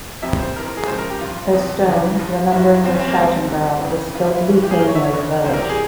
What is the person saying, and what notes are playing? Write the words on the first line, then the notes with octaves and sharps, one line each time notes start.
A stone, remembering the Shouting Girl, is still to be seen near the village.
F2 C3 F3 E5
C5
F2 E3 A#4
A#4
G#4
C#2 C#3 F3 C5
A#4
G4
G2 F3 F4
E2 C3 F3
E2 C#3 E3
G2 F3
G2 F3 E4
G2 F3 C4 C#4
C4
A#3
C#2 C3 F3 C4
G2 F3
F2 C#3 E3
E2 E3 F4
E4
E4
G2 E3 C#4
G4
G#4
E2 E3 A#4
C#5
E5
C#5
E2 C#3 F3
C2 C3 E3 C5
A#4
G4
G#4